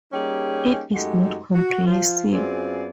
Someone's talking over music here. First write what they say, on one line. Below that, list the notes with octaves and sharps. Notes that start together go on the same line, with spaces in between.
It is not comprehensive.
G3 A#3 C#4 D#4 G4 G#4
F#2 G#3 A3 D#4 F#4 G4
F#4
F3 F4
F#2 B3 C4 F4 G#4 D5